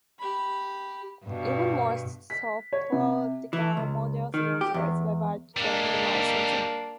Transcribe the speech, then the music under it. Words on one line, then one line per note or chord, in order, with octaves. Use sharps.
Even more sophisticated models use reversible Turing machines.
G4 B5
G2 B2
B6
C#5
C3
E3
C#2
D#3
G4
E2
G3 G#3 A#3 D4